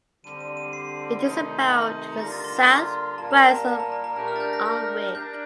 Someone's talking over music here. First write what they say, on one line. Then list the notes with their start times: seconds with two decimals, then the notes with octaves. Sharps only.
It is about to the south-west of Alnwick.
0.24 D3 G3 C4 D#7
0.40 D#7
0.57 D#7
0.73 C7
1.22 C3 D#3 A3 D#4
2.20 D3 G3 A#3 F4 A#6
2.32 A6
2.44 C6
2.57 A#5
3.18 A#2 G3 A#3 A5
3.31 A#5
3.43 A5
3.55 A#5
3.68 A5
3.80 A#5
3.92 A#5
4.04 A#5
4.16 A3 D4 G4 A#4 A5
4.28 F6
4.36 A6
4.40 G6
4.53 A#6
4.66 F6
5.14 D4 G6